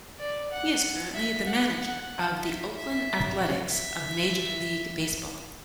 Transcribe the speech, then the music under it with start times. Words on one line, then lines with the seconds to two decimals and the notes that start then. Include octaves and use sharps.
He is currently the manager of the Oakland Athletics of Major League Baseball.
0.19 D5
0.51 F#5
1.14 E5
1.46 F#5
1.78 F#5
2.41 E5
2.73 E5
3.68 E5